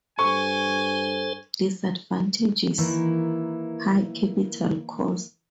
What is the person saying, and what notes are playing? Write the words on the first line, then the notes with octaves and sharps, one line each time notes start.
Disadvantages: High capital cost.
G2 A4 C5 G#5 C#6
D#3 E3 A#3 E4